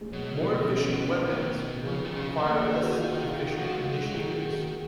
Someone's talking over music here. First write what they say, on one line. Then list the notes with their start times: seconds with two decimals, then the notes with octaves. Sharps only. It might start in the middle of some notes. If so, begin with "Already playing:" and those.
More efficient weapons would require less efficient initiators.
0.01 G#3
0.12 B2 F#3
0.41 F3
0.64 D#3
0.70 C#3
1.27 B2 D#3
1.85 C#3 F3
2.03 D#3
2.14 C#3
2.37 F3
2.42 D#3 A#3
2.62 G#4
2.81 F#4
2.99 F4
3.58 F3 F#4
3.77 G#3
3.96 F#3
4.15 D#3 G#4
4.34 F#4
4.53 G#4